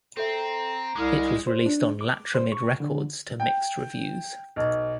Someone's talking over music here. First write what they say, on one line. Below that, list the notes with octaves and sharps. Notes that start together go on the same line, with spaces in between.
It was released on Latyramid records to mixed reviews.
C4 A4 E5 A#5
C2 G#3 D6 D#6 F6
C5
D4
D6
C5
C#6
D3
G5
B1